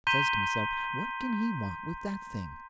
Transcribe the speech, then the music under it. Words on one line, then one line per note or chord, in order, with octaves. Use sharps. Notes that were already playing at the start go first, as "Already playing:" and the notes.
I says to myself, what can he want with that thing?
A#5 C6 G6 B6 D#7 G7